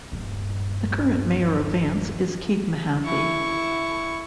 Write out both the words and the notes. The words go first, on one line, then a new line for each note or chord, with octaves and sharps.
The current mayor of Vance is Keith Mahaffey.
D#1 G2
E4 C#6